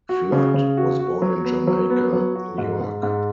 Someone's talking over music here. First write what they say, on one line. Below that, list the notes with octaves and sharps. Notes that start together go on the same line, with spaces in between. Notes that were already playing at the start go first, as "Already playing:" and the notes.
Flood was born in Jamaica, New York.
F#4
C#3
C#3
F#4
F#4
F#3
B3
F#3
B3
F#3
F#4
G#2
G#2
G#2